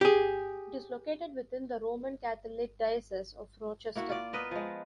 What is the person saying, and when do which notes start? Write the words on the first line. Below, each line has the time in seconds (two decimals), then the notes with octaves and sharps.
It is located within the Roman Catholic Diocese of Rochester.
0.01 G4 G#4
3.95 A#3 E4 F#4
4.09 F4 D5
4.33 B3 A#4 B4 D#5
4.51 F3 G#3